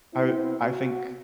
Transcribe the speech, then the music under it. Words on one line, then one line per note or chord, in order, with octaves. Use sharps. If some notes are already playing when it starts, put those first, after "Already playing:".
I I think
B3 C4 E4
F#4